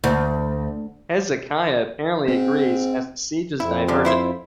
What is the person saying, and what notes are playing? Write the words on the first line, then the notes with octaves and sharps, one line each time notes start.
Hezekiah apparently agrees, as the siege is diverted.
D2
G#2 C4
F2 E4
F#2 D3
E4 C5 E5